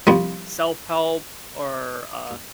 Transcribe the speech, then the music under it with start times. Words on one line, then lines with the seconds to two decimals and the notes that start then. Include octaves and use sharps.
self-help or, uh
0.07 C2 F3